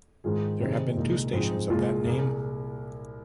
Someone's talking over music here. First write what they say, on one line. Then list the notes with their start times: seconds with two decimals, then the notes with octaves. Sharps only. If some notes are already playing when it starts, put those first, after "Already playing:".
There have been two stations of that name.
0.24 G#2 D#3 G#3 F4 G#4
0.60 C3 D#3 C4 D#4 G#4
0.97 C2 A#2 G#3 D#4
1.33 G#2 F3 C4 D#4 G#4
1.69 C2 A#2 G#3 F4 G#4
2.05 C2 A#2 A#3 G#4